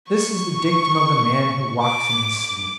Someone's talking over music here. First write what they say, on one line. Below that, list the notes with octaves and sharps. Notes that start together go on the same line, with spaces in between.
This is the dictum of the man who walks in his sleep.
C#6
D6
D6